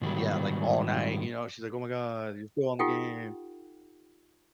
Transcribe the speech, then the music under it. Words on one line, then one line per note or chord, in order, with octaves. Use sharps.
Yeah, like, all night, you know, and she's like, "Oh my god. You're still on the game."
G#2 D#3 F#3 G3
D#4 F4 G4 A4 F#5 G5